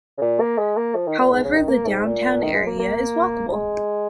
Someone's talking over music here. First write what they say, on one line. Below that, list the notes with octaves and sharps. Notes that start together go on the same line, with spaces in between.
However the downtown area is walkable.
C#3
A#2
A#3
G#3
A#3
F3
D#3
A#2
G#2
C#3
D#3
A#3
G#2
A#2
D#3
G#3
A#3
A#3
F3
G#3